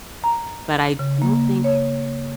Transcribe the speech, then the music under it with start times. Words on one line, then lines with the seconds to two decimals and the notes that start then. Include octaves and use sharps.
but I don't think
0.24 A#5
0.99 C#3
1.22 A#3
1.64 C#5